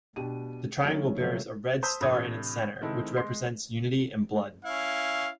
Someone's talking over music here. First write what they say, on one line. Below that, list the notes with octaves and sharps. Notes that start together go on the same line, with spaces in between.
The triangle bears a red star in its centre, which represents unity and blood.
B2 D4 G4 D#7
E3 F#3 A3 A#3 C#4 D#4
C3 F3 F#3 A3
C5 A5 D#6 E6 G6 B6
A2 C3 E3 D4 D#6 G#6
D#3 G#3 C4 E4 A4
G#3 C6 C7
C#4 E4 F5